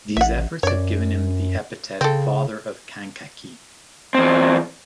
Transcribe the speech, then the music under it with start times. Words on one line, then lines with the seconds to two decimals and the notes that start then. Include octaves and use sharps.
These efforts have given him the epithet Father of Kankakee.
0.17 A1 E5 F#5
0.63 F#2 C#5 D5
2.01 C#3 C4 A4
4.15 E2 C4